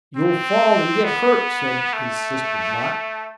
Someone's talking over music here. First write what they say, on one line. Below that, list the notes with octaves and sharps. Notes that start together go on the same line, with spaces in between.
'You'll fall and get hurt,' said his sister Blot.
C4
B3
A3